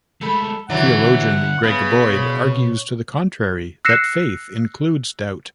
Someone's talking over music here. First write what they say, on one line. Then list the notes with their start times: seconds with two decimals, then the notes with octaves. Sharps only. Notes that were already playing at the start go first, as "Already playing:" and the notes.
Theologian Greg Boyd argues to the contrary, that faith includes doubt.
0.21 G#3 A3 A4 B5
0.70 D3 E3 F#3 G3 D5 E5 F#5 G6
1.63 C#3 B3 B5
2.13 B2 C5
3.85 E6 F#6 A#6 C7 C#7 E7